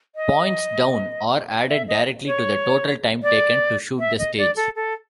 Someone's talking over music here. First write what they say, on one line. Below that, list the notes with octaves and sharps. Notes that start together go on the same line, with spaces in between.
Points down are added directly to the total time taken to shoot the stage.
D#5
E5
D#5
C#5
D5
E5
D#5
D5
A4
A4